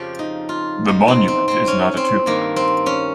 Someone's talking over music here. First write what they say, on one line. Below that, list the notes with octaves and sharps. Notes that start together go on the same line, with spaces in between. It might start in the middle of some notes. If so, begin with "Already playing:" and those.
The monument is not a tomb.
Already playing: F2 C#3 F3 G4
D#4
F4
D#4
C4
C4
C4
C#4
C4
G2 D#3 A#3
C4
C#4